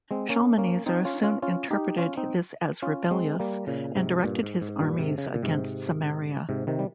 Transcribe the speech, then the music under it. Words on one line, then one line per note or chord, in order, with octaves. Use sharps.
Shalmaneser soon interpreted this as rebellious, and directed his armies against Samaria.
G#3 C4
A#3 C#4
A#3 C#4
C4 D#4
C#4 F4
C#4 F4
C#4 F4
D#4 G4
C#4 F4
C4 D#4
C#4 F4
G#3 C4
G3 A#3
A#2 C#3
G#2 C3
G2 A#2
G#2
G#2
G2 A#2
G#2 C3
C#3
C3
A#2
G#2 C3
G#2 C3
C3 D#3
G3